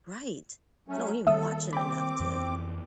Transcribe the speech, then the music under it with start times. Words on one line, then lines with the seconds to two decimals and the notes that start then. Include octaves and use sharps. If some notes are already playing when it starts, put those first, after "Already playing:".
Right. I don't even watch it enough to
0.88 F#3 A3 C#4
1.27 D#3 G3 A#3 A4 E5 D#6 E6
1.73 C4 G5 B5 D6
2.20 F2 E3